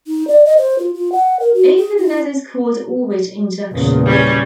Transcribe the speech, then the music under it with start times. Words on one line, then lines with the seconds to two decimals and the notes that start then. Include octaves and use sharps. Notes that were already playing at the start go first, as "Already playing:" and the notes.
Often this is called orbit injection.
0.07 D#4
0.28 D5
0.45 D#5
0.57 C5
0.79 F4
0.94 F4
1.12 F#5
1.40 A#4
1.54 F#4
1.77 G#4
1.98 E4
3.72 E2 A#2 C#3
4.06 G3 C#4